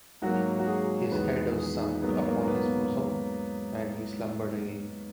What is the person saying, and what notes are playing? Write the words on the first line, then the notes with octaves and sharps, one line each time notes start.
His head was sunk upon his bosom; and he slumbered again.
G#2 F#3 A#3 F#4
F#4
G#4
E2 D#3 G#3 B4
G#4
D#4
G#2 F#3 A#3 B3
A#3
A#3
B3